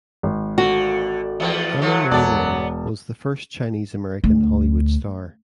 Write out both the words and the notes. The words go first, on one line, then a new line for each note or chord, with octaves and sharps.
Anna May Wong was the first Chinese American Hollywood star.
G#1
F2 A#2 D3 F#4
E2 F3 A3 B3
F3 F#3 A3
E1 B3 D5 A5
D2